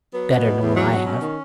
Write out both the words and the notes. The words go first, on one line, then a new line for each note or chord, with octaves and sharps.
Better nor I have.
F#3 B3
B2
E2
E2
F#3
B2
F#3 C#4
D#3